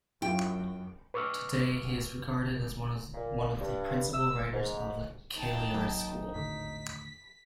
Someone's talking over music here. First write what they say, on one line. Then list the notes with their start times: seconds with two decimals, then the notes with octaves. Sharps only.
Today he is regarded as one of the principal writers of the Kailyard school.
0.22 F#2 E4 F4 G5
1.14 B4 C#6 D6 E6 F6
3.14 A#2
3.60 G2
4.13 E6
4.52 G#2
5.37 G#1 D#4 G5 A5
5.74 F#2 F#3 A#3
6.35 D#2 A2 D3 B6